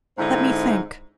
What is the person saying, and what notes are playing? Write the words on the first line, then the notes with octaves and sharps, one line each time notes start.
"Let me think."
G#2 D3 C4 D#4 E4